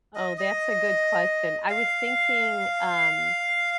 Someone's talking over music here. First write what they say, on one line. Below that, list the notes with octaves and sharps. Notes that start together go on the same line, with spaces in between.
Oh, that's a good question. I was thinking, um,
D#5
D#5
F5